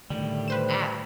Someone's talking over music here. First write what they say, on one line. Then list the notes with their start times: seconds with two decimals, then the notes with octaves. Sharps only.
at n
0.10 A2 D3 D#3 G3
0.48 B4 C5 E7